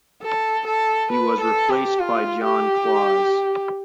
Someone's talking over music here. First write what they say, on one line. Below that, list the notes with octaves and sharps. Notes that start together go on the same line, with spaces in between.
He was replaced by John Claus.
A4
A4
B4
A4
G4
F4
G4